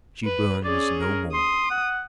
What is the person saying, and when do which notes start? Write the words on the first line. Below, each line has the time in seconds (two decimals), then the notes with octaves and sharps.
"She burns no more."
0.25 B4
0.65 C#4 G#4 D5
1.01 A#4
1.33 C6 D#6
1.71 F#5